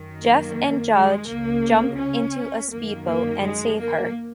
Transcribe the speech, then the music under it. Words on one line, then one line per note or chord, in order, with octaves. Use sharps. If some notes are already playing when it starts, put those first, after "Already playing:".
Jeff and Judge jump into a speedboat and save her.
Already playing: F#2 D#3
A#3
G#3
C#2 C#3 A#3
C#4
F#2 D#3 A#3
A#3
G#3
A#3